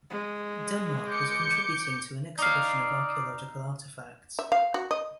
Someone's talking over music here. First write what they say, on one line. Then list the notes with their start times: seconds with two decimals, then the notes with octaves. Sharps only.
Denmark was contributing to an exhibition of archeological artefacts.
0.10 G#3
1.08 D6 G6 C#7
2.39 D#4 D5 F5
4.39 E5
4.52 F5
4.74 F#4
4.91 D#5